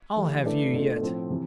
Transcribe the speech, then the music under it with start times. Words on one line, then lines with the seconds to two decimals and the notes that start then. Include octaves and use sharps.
"I'll have you yet."
0.16 E3 A3 E4 G4
0.45 D3 A3 E4 B4 D5
0.73 B2 A3 D4 F4 A4
1.01 A2 F3 C4
1.30 C3 E3